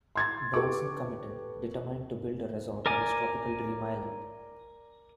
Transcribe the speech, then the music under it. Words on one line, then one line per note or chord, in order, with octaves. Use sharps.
Branson committed, determined to build a resort on his tropical dream island.
C6 G#6 A6
G4 A4 B4 C#6 D6
A#4 D5 G#5 D6